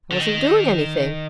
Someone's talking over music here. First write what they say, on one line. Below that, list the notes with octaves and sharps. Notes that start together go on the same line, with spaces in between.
"I wasn't doing anything."
D3
D#3